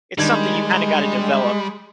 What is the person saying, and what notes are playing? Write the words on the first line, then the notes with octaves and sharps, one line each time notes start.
it's something you kinda gotta develop.
D#3 G3 G#3 D4 G#6